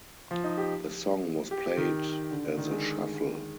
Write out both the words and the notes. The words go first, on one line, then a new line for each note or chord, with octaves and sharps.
The song was played as a shuffle.
F3
D#4
G4
G4
D#3
D3
D3
D#3
G#3